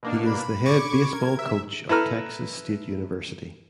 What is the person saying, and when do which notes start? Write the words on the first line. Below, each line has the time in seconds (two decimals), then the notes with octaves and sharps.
He is the head baseball coach of Texas State University.
0.03 B2 A#3 D4
0.26 B5
0.66 C#6 D6 G#6
1.12 A#4 G#6
1.39 E5
1.89 E4 A4 B4 A#5 F6